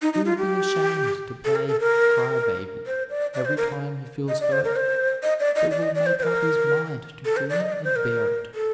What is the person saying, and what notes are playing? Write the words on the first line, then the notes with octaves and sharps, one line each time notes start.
He will be ashamed to play "cry baby" every time he feels hurt, but will make up his mind to grin and bear it.
D#4
D#4
F4
G4
A4
A#4
A4
A#4
C5
D5
D5
C5
A#4
D#5
D5
C5
A#4
C5
D#5
D5
D#5
D5
D#5
D5
C5
C5
A#4
A4
C5
D5
D#5
D5
C5
A#4
A4